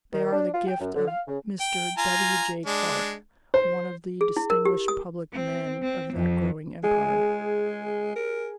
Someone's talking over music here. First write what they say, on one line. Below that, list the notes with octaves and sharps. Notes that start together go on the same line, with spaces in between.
They are the gift of Mr. W. J. Clark, one of the distinguished public men of that growing empire.
D#3
D4
F4
G5
F#2
D3
F5
C#3
G5
F4 G#5 A#5
G#3 D4
C5
G#4
E4
A#4
G4
D#6
C4
C4
F2
G#3 G#4
A#4